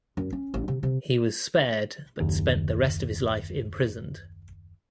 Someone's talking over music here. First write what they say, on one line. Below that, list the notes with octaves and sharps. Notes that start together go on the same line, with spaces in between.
He was spared but spent the rest of his life imprisoned.
F#2
C#4
A1
C3
C3
F#1 D#2